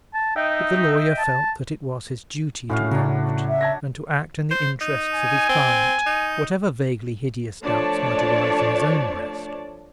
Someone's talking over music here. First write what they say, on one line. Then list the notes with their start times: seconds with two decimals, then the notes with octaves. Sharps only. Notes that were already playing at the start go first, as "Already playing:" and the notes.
But the lawyer felt that it was his duty to act, and to act in the interests of his client, whatever vaguely-hideous doubts might arise in his own breast.
0.14 A5
0.36 D#4 D#5 E5 G5
1.19 A5
2.70 A2 C#4 F#4 F5
2.91 C#3 F#3 D4
3.48 E5
3.61 A5 G#6 A#6
4.51 C5
4.81 D#4
5.13 G#5
5.49 C4
6.06 D#4
7.63 F3 A3 D4 C#5 D5 A5